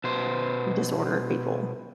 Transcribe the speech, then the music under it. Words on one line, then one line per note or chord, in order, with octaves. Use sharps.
disorder people,
B2 C5